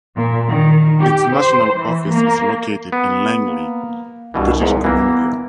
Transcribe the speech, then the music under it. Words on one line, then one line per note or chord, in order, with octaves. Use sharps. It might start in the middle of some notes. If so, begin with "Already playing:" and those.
Its national office is located in Langley, British Columbia.
A#2
D#3
G4
C5
E3
A#3
B3
A#3
C2 G2 B2 E3
E2 G#2
E3 A#3 B3